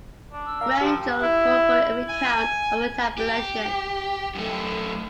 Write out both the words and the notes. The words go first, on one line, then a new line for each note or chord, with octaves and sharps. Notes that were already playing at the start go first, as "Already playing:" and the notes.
Rangel called for a recount of the tabulation.
D4
E6
A#4 F5
F3 G4
E4
G#5
G4
F#2 A3